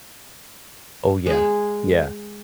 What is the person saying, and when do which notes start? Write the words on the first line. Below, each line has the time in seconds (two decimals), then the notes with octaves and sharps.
Oh, yeah. Yeah.
1.26 G#3 G#4